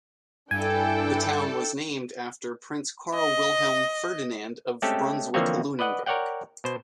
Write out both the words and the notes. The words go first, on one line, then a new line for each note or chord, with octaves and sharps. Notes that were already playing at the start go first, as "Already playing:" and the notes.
The town was named after Prince Karl Wilhelm Ferdinand of Brunswick-Lunenburg.
G2 D4 E4 A4 G5 G#5
D#5
G#3 A3 C4 C#4 G4 A4
D3 E3 F3 A#3 C4 C#5
B4 D5 D#5 F#5
A#4 C#5 D5 F#5 G5
B2 C5